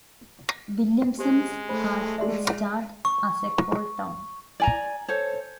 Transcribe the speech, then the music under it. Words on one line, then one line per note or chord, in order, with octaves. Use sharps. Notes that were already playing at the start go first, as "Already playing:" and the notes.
Williamson had its start as a coal town.
G#3 G4 C5
A3 C5 B5
G#3 D5 E5 F#5 C6
C#6
D5 G#5 A#5
A4 C5 C#5